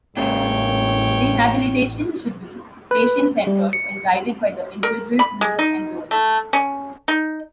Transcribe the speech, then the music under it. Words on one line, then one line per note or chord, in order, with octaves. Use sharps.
Rehabilitation should be patient-centered and guided by the individual's needs and goals.
A1 A#2 C#3 G#3 C#5 G5
B4
G3
C#7
A#4
B5
G#3
D#4
A3
C#4
D#4